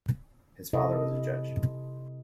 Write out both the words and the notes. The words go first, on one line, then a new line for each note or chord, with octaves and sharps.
His father was a judge.
C3 E4 A4 D#5